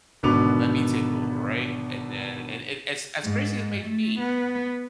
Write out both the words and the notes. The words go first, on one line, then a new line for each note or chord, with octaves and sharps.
let me take over," right, and then and it as as crazy as it may be.
G#1 B2 D3 B3 D6 F7
G#2
A3
B3